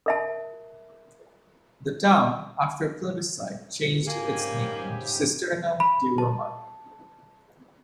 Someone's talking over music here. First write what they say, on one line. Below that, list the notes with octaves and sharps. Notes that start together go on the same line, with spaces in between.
The town, after a plebiscite, changed its name into Cisterna di Roma.
A#4 E5 A5
G#2 C#3 A#3 G4 G#5
B5
A5